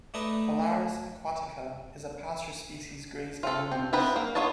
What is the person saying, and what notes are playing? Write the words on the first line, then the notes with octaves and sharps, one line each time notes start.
"Phalaris aquatica" is a pasture species grazed by ruminants.
A3 D4 D#4 B4 D#5
F4 A4
C4
B3 C4 E4 B4 A#5
A#3
B3 F4 C#5 D#5 A5